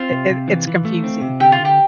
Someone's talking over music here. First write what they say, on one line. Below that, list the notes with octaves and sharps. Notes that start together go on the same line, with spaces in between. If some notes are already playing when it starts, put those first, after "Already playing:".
it it it's confusing.
Already playing: C4 F4
C3
C3
E3
E3
A3
C4
C3
D3 G4
F4
D3
G4